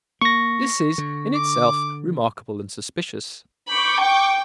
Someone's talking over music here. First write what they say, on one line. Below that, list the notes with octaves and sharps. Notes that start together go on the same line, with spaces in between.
This is, in itself, remarkable and suspicious.
A#3 C#6 A#6
D3
D6
B5 C#6 D6 G6
G5